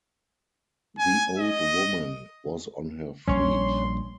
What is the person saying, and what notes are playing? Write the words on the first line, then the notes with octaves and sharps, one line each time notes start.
The old woman was on her feet.
G#5
D#5
A#1 G3 C#4 C#5 C6